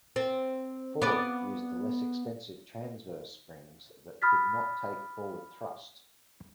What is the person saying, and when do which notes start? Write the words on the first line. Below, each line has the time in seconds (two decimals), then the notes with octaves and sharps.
Ford used the less expensive transverse springs that could not take forward thrust.
0.16 C4
1.02 B3 D5
4.22 B5 D#6 F6 F#6 A6 B6